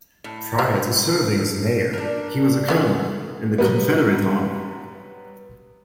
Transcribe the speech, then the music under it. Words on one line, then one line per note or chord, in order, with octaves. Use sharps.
Prior to serving as mayor, he was a colonel in the Confederate Army.
A2
F3 G3
D4 A#4
A3 B3 G#4
F#3 G3 B3